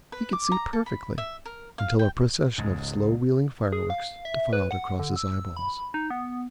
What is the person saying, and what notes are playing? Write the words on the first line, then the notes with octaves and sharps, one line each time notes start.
He could see perfectly, until a procession of slow-wheeling fireworks defiled across his eyeballs.
B4
D6
A#5
A4
B5
E5
A#4
F5
G5
C#2 G#2
G#4
F5
E5
B4
F#5
D3
E6
B5
D#4
B3